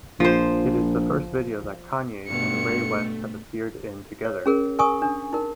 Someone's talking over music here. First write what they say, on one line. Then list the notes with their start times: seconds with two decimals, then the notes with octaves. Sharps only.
It is the first video that Kanye and Ray West have appeared in together.
0.20 A#1 F3 C5
2.28 G2 B2 A3 C#7
4.25 C#5
4.46 C#4 G#4 A#4
4.79 A#4 G#5 C#6 D#6
5.02 D4
5.33 D#4 A#4